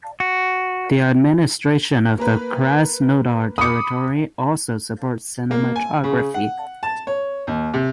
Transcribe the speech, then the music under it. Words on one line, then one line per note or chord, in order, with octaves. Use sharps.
The administration of the Krasnodar Territory also supports cinematography.
F#4
A#3 A#4 B4
B5 D6 D#6 C#7
A#3
G#5
C#3
F#5
A5
C#5
D#2
C3